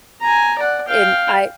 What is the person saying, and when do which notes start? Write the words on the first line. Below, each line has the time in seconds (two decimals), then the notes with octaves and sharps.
and I
0.21 G#5 A#5
0.58 D5 F#5
0.87 F5 G5